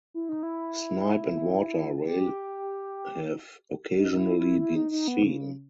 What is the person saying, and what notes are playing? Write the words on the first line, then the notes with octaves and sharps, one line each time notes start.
Snipe and water rail have occasionally been seen.
E4
D#4
E4
G4
D#4
D#4
E4
E4
E4
D#4
D#4
B3
C#3